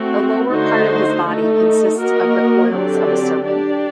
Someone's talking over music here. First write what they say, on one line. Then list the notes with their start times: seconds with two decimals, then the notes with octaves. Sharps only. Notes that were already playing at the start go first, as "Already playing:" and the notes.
The lower part of his body consists of the coils of a serpent.
Already playing: A3 C4 F#4
0.51 D3 A3 D#4 F#4 C5
1.26 A3 D#4 A4
1.99 A#3 F#4 A#4 D#5
2.72 D3 F#3 C4 G4 D5
3.46 D4 G4 D5